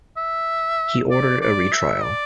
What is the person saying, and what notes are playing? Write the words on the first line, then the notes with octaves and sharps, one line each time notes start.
He ordered a retrial.
E5
D5
D5
E5
D5